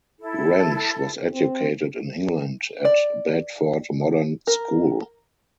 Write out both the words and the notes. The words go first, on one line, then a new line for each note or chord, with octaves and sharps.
Wrench was educated in England at Bedford Modern School.
E4 A4
C4
D5
A#4